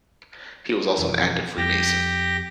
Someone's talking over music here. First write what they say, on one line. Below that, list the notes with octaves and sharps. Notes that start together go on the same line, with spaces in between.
He was also an active Freemason.
E1 F2 E3
F2 G4 A#6